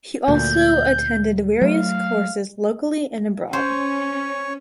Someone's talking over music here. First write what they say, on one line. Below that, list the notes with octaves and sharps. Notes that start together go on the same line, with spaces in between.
He also attended various courses locally and abroad.
D2 A#2 G6
F#3 A3 F5
C#4 C5 C#5